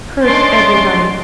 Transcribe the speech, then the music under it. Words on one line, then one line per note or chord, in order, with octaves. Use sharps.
Curse everybody!
C#4 D4 D#5 C6 A6 D7